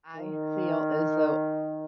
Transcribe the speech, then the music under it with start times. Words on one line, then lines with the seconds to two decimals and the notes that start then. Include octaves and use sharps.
I feel as though,
0.14 D#3